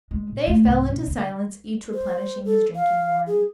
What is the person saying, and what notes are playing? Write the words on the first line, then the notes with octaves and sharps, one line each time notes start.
They fell into silence, each replenishing his drinking-horn.
G#3 C#4
A#2
A3 A#3
C2 G#2
B2 D3
D3
C5
A4
F5
G#4